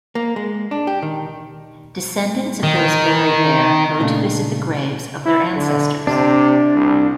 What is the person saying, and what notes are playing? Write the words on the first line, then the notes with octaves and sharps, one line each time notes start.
Descendants of those buried there go to visit the graves of their ancestors.
A#3
G#3
D4
G4
D#3
D#3
A#2 C#3 A3 D4
E4
D3
C3 D4
C2